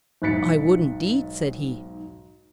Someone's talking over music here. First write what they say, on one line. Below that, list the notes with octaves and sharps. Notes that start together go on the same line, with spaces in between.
"I would, indeed!" said he.
B1 G#2 F#6 A6 B6 C#7